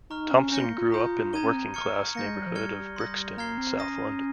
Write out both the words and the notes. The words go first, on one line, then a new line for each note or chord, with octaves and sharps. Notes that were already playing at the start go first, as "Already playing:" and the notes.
Thompson grew up in the working-class neighbourhood of Brixton in south London.
D#4 A#5 C#6 F6
C#4
C#4 G6 A#6 C#7 G7
A#3
F4
A#5 D#6 G6
D#4 A#5 D#6 G#6 D#7 G7
C#4
C4
C#6 F6 G#6 C#7
A#3 G6 A#6 C#7
G#3
G3
F3
G3 F6 G#6 C#7 G7
C6 D#6 G6 A#6
A#3 A#5 F6 G#6 C7 G7
C4
C#4 D#6 A#6 D#7